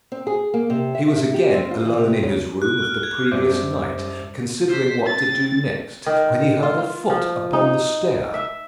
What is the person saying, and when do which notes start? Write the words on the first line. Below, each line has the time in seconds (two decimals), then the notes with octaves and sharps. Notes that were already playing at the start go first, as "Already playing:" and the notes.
He was again alone in his room of the previous night, considering what to do next, when he heard a foot upon the stair.
0.12 C4
0.27 G#4
0.54 A#3
0.70 C3
0.95 E5
1.12 E5
1.34 G4
1.53 C4
1.71 F4
1.85 E3
1.97 C3
2.23 C#3
2.62 F#6
2.82 F6
3.03 G#6
3.31 F#2 G3 C5 E5 D6 G6
4.69 C5 B6
5.06 C4 A6
6.06 D#3
6.63 F4
6.80 F4
7.10 F3
7.53 D#4
8.34 E5